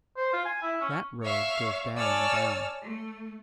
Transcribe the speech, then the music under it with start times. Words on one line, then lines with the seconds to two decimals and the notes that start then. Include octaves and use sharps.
That road goes down and down.
0.17 C5
0.33 F4
0.45 G#5
0.62 E4
0.81 C#4
1.23 C#5 E5 F5 C#6
1.97 C#5 D5 G#5 A5 E6 F6
2.82 A3